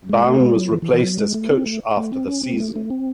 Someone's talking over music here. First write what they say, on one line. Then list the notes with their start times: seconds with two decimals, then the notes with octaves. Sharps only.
Baun was replaced as coach after the season.
0.09 G#3
0.24 A3
0.40 G#3
0.55 F#3
0.72 E3
0.82 E3
0.93 E3
1.03 F#3
1.19 G#3
1.34 A3
1.50 C4
1.66 A3
1.97 A3
2.12 C4
2.28 C#4
2.43 C4
2.53 G#3
2.60 A3
2.76 A3
2.90 C4